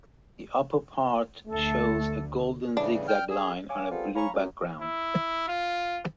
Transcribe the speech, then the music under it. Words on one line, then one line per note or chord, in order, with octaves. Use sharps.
The upper part shows a golden zigzag line on a blue background.
D2 D3 A3 A4
A2 C#3 E3 D4
G5 F6
G#4
C#5 F5 G#5 D6
G3 B3 C4 F4 G#4 A4
C#5 F5 G#5 A#5 B5 C#6
F#2
E4
F4